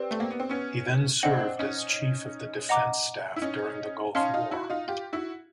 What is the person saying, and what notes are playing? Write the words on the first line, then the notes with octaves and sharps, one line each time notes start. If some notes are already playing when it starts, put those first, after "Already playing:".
He then served as Chief of the Defence Staff during the Gulf War.
Already playing: C4 G4 B4 D5
A3
A#3
B3
C4
B3 C#4
C4 D4 C5 D#5 F#5
C#4 D#4
D#5 F#5 A#5 D6
E4
C#4 D#4
C#4 D#4 F5 A5 C6 F6
D#4 F4
E4 F#4
D#4 F4
F4 G4
E4 F#4